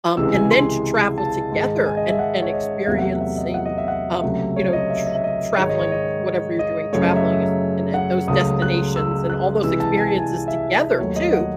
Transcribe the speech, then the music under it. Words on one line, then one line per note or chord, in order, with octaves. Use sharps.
um, and then to travel together and and experiencing, um you know, tr traveling- whatever you're doing- traveling in in those destinations and all those experiences together, too,
C#2 C3 E3 G#3 E6
G#5
C6
A5
G#2 D#3 G#3
G#5
D#5
E5
F#5
C#5
D#5
E2 C3 F#3 A3 E5
F#5
E5
D#5
F#5
D#5
E5
F#5
C#2 C3 F#3 A3 E5
C#5
D#5
E5
D#5
E5
D#5
G#2 D#3 G#3 C#5
D#5
C#5
D#5
D#5
F#2 C#3 F#3 A3 C#5
D#5
E5
F#5
C#2 C#3 F#3 A3 D#6
F#6
E6
F#6
C2 C3 E3 G#3 E6
A5
G#5
A5
G#5
E5
D#2 D#3 F#3 A3 C#5
D#5
F#5